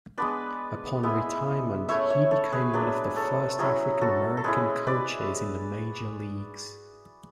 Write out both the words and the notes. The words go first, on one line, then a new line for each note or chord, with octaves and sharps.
Upon retirement, he became one of the first African-American coaches in the major leagues.
G#3 B3 D4 B4 D5
G#3 B3 E4
A3 C#4 E4 C#5 E5
C#5 E5
A4 C#5
G#4 B4
F#3 B3 D4 G#4 B4
A4 C#5
F#3 C#4 E4 G#4
F#4 A4
A4
G#3 C#4 E4 G#4 B4
B4 D5